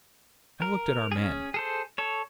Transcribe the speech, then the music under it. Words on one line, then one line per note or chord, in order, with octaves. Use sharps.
I looked at our men.
A#4
C#4 G#4
G#4 A4 C5
A4 C#5